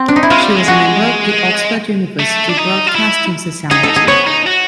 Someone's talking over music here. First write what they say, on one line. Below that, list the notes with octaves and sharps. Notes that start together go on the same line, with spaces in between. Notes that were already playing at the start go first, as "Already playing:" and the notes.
She was a member of the Oxford University Broadcasting Society.
Already playing: C4
D4
D#4
E4
G#3 F4
G3
G#3
F#4
A3
D4
D#4
F4
E4
D#4 G#4
A4
D#4
G#4
B3 C#5
D#4
F#4